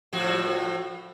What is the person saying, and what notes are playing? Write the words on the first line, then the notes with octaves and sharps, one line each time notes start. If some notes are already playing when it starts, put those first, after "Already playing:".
A year.
A2 F3 F#4